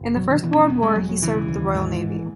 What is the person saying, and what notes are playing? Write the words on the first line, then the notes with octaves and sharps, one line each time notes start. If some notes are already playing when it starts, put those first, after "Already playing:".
In the First World War he served with the Royal Navy.
Already playing: F#1
B2 F#3
D#3
B2 E3
C#4
E1 B3
G#3
E1 F#3
F#3
C#3 E3
D#2
G#2
A1